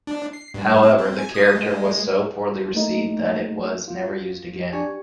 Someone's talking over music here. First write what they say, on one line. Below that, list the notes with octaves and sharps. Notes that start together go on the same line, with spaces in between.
However, the character was so poorly received that it was never used again.
D4
C7
G2
C4
C4
G#5
D#6
G#3
A3 A#3 D#4
F4
D4 G4 G#5 C#6